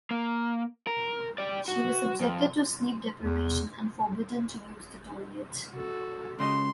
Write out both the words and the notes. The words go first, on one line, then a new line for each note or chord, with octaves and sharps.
She was subjected to sleep deprivation and forbidden to use the toilet.
A#3
A#4
G4 D5
F#4
F2
E2
F#4 A4
C#2 C#3 D#5 C6